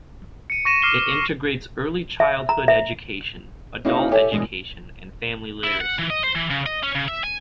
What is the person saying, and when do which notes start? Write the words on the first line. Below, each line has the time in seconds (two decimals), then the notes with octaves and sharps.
It integrates early childhood education, adult education and family literacy.
0.50 C#7 D#7
0.65 C#6 A#6 D#7 E7
0.82 D6 F6 C7 D#7 E7 G7
2.20 E5
2.49 A#5
2.68 E5
3.85 A#3 C#4 D#4 E4 F#4 G#4
4.11 G4 A4 C#5 E5 G#5
4.32 F#2 B2 E3 G#3 D4
5.64 E4
5.81 F#5
5.99 E3
6.10 D#5
6.24 C5
6.36 E3
6.51 C#3
6.66 D#5
6.83 C#4
6.95 C#3
7.08 E5
7.24 G#5